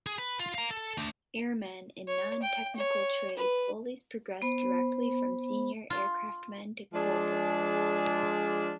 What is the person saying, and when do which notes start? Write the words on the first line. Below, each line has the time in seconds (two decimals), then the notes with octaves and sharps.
Airmen in non-technical trades always progressed directly from senior aircraftman to corporal.
0.06 G#4
0.19 B4
0.39 F4
0.55 F5 A#5
0.70 A4
0.98 A3 D4
2.08 C#5
2.43 G5
2.76 C#5
3.37 B4
4.42 B3 C5 B5
5.90 F4
6.93 F3 G#3 D4 G#4 D5